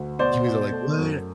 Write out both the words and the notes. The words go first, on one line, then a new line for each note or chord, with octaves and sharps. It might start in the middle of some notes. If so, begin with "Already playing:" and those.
he was all, like, "what?"
Already playing: D2
B2 C5 D5
B2
A3
F#2